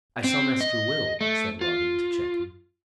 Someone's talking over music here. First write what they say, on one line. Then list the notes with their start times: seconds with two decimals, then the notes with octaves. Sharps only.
"I saw Master Will," said Robin, to check him.
0.24 C4
0.61 D#5
1.21 A3
1.61 F4